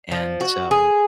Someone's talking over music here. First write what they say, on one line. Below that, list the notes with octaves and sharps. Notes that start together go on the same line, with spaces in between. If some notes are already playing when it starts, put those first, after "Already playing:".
And so
F3
F#4
G#4